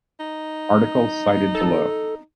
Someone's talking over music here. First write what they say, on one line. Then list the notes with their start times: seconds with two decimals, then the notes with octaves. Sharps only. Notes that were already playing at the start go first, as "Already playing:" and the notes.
Article cited below.
0.20 D#4
1.55 A4